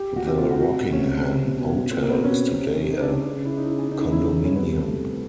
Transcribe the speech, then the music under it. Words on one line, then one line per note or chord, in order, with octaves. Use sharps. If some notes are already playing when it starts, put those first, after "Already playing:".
The Rockingham Hotel is today a condominium.
Already playing: G4
F#4
C3 G4
F4
F#4
C3 F#4
C#4
B2
A#2 C4
A#3
B3
C4
B2 C#4
C3
D#4
D4
C#4
C#3 D4
E4
D#4
E4
G#4
C#3 D#4
E4
E4
D#4
C#4
C3 B3
G3
A3